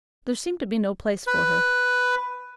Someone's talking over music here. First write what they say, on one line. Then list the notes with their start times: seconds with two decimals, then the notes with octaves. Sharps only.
There seemed to be no place for her.
1.27 B4